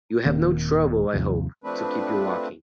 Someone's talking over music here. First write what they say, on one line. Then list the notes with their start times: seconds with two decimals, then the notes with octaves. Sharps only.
You have no trouble, I hope, to keep you waking?
0.25 D#1 D#3 A#3 C4
1.13 D#2 G#2 C3 F3
1.63 F3 A3 C4 D4 B4